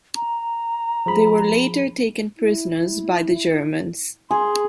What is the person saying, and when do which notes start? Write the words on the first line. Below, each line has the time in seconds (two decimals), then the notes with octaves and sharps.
They were later taken prisoners by the Germans.
0.16 A#5
1.06 F3 G#4 B5
2.38 E4
4.31 G#4 C6